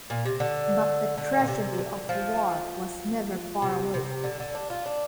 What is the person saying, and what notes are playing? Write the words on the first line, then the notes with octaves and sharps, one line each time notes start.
But the tragedy of war was never far away.
A#2
C3
D3
D3
A#2
C3
D3
F3
C3
C3
D3
D3
D4
F4
D4